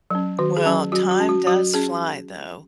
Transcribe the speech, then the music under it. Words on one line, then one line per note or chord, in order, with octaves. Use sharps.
Well, time does fly though.
F#3 C#4
D#3 F#4
G#4
F#3 C#4
F#3 F#4
F#4
C#4
F#4
F#3 F#4
C#4 G#4